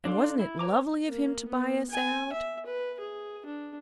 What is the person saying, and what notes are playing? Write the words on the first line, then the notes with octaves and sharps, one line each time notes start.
And wasn't it lovely of him to buy us out?
D4 A4 F5 C6
E4
B4 C#5 A#5 D6
A#3
B3
G#5
E5
B4
G#4
D4